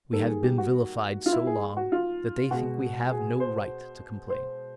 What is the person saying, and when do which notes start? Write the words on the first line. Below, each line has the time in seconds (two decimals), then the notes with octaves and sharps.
We have been vilified so long, that they think we have no right to complain.
0.12 G#2 D#3 G3 A#3 A4
0.28 G#4
0.43 G4
0.58 F#4
1.26 F4
1.32 E4
1.47 G#4
1.77 F#4
1.92 F4
2.51 B2 G#3 F#4
3.11 G#4
3.40 C5
4.30 C5